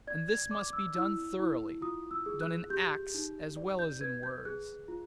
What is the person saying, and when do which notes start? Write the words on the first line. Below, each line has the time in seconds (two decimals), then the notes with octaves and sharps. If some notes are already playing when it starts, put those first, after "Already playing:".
And this must be done thoroughly--done in acts as well as in words.
0.07 D5 G#6
0.28 G#6
0.51 D5 D6
0.73 E6
0.94 E4 E6
1.39 E4
1.82 F4 D#6
2.11 E6
2.26 G#4
2.41 F#6
2.70 G4 G6
3.14 D#4
3.57 D5
3.79 G6
4.01 B4 G#6
4.23 G6
4.45 G#4 F#6
4.88 F4